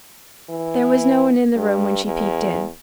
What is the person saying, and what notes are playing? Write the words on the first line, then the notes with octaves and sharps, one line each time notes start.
There was no one in the room when she peeped in.
E3
G2
E2